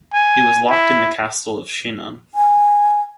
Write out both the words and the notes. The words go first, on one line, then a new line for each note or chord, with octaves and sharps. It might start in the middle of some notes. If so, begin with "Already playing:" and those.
He was locked in the castle of Chinon.
G#5
E4
G#5